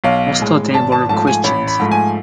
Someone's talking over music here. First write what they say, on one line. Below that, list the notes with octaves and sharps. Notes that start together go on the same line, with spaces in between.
Most of them were Christians.
B1 F5
A2 G#3
G#1 A5
A5
G#2 F3 A3 A5
G#5
A1 B5
B5
G#2 F3 A3
G#5